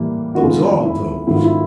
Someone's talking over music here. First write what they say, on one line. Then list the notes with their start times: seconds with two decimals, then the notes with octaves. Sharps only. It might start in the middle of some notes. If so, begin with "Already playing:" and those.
Absorb those.
Already playing: A2 E3 G3 A#3
0.35 F#4
0.41 F#2 D#3 G#3 B3 F4
0.85 E4
1.27 G#2 D#3 F#3 B3 E4
1.36 F4
1.44 E4